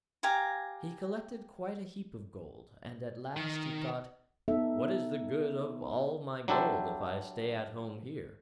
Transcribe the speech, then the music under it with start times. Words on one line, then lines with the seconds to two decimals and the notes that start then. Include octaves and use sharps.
He collected quite a heap of gold, and at last he thought: 'What is the good of all my gold if I stay at home here?
0.23 G4 F5 G#5 A#5
3.36 D#3
4.48 B3 D#4 A4 E5
6.48 F#3 D4 E4 G4 A4 C5